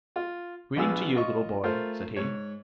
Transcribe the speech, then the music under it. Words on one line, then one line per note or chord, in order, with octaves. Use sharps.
"Greeting to you, little boy," said he.
F4
A#1 B3 F4 G#4 E6
F4 D#5 C#6
A3 F4 A#4 C5
G#2 C#5